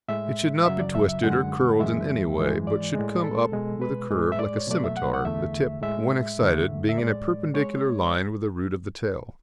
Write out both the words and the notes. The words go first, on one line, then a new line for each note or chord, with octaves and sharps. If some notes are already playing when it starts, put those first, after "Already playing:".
It should not be twisted or curled in any way, but should come up with a curve like a scimitar, the tip, when excited, being in a perpendicular line with the root of the tail.
A2 G#3 E5
F#2 C#3 F#3 E5
D5
E5
E5
F#2 D3 G#3 F#5
F#2 E3 G#3 E5
G#2 E3 G#3
D5
A2 G#3
A4
B2 G#3
B4
A2 G#3
E5
D5
C#5
B2 F#3 A3 D5
E5
F#5
F#5
E2 D3 A3 E5
A2 G#3 E5
E2 D3 A3
E5
A2 G#3 D5
G#3 C#5